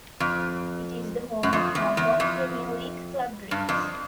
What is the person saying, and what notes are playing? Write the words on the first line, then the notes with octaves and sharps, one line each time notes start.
It is the home of Hong Kong Premier League club Dreams.
F2
F#2
F2
E2
E2
F2
G2
F2